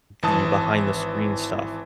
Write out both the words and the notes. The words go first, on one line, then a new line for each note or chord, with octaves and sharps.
the behind the screen stuff.
G#1 E3 A5 D#6